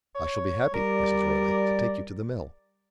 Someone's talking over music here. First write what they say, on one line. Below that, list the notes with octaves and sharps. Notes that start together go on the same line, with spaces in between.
"I shall be happy, Mrs. Roylake, to take you to the mill."
C#5
G3 A#4 D5